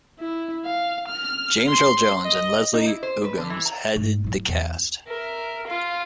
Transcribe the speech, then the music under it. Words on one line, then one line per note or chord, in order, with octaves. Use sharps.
James Earl Jones and Leslie Uggams headed the cast.
E4
F5
F6
C6
D#5
D#4
E4
C5
B4
D3
E3
A#5
G#2
A2 F#3
E2
A#4 E5
F4 F5